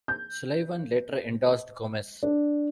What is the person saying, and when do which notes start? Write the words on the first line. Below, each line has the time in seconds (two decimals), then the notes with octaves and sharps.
Sullivan later endorsed Gomez.
0.08 G6
2.23 D4